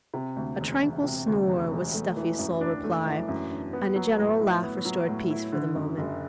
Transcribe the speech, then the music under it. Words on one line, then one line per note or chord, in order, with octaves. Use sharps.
A tranquil snore was Stuffy's sole reply, and a general laugh restored peace for the moment.
C3
D2
E1
E1
C3
D2
E1
E1
A3
E3
F#2
D4
A3
E3
F#2
D4
B3
F#3
A2
E4
B3
F#3
A2
E4
D3
F#2
F#1